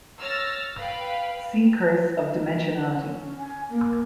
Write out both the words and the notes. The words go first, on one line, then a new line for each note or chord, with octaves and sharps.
See curse of dimensionality.
C#5 E6 F6 A6 A#6
B4 F5 G5 B5
C#4
G#5
A#3